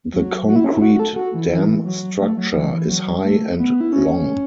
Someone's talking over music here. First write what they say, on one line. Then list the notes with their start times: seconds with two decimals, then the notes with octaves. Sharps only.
The concrete dam structure is high and long.
0.13 F#3
0.48 F#4
0.56 E4
0.64 C#4
0.73 E4
0.82 F#4
0.95 F#4
0.99 A4
1.16 F#4
1.34 E3
1.51 E3
1.85 F#3
2.21 A3
2.37 F#3
2.54 E3
2.73 E3
2.89 F#3
3.24 A3
3.59 B3
3.81 E4
3.93 C#4